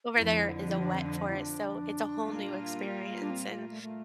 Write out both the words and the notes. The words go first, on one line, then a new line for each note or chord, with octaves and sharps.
over there is a wet forest, so it's a whole new experience and
F2 D3 F3 E4
E4
D4
C4
D4
D4
E4
D4
A#2 G3 A#3 F4
D4
C4
A3
A3
A3